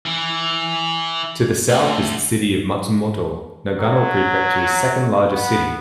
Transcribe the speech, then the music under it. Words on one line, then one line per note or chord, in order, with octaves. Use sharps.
To the south is the city of Matsumoto, Nagano prefecture's second largest city.
E3
D2
F#3
B3